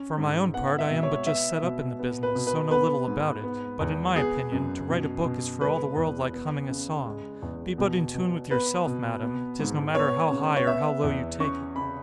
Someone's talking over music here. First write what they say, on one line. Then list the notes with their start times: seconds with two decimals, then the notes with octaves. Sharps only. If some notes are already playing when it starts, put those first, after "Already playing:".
For my own part, I am but just set up in the business, so know little about it--but, in my opinion, to write a book is for all the world like humming a song--be but in tune with yourself, madam, 'tis no matter how high or how low you take it.
Already playing: C#4
0.18 G#2
0.54 B3 F#5
0.79 E5
0.90 B2
1.03 C#5
1.26 B3 E5
1.62 B2
1.99 B3
2.23 B4
2.35 B2
2.47 B4
2.71 B3 B4
3.08 G#2
3.43 B3
3.81 E2
4.16 B3 G#4
4.52 F#2
4.89 B2
5.25 B2
5.61 G#3 B4
5.97 E2
6.33 B3
6.69 C#3
7.06 G#3
7.42 E2
7.78 B2
8.14 B2
8.50 B3 B4
8.86 B2
9.22 B3
9.59 G#2
9.95 B3 C#5
10.31 C#3
10.57 C#5
10.67 B3 E5
11.04 E2
11.40 C#4 C#6
11.76 C#3 B5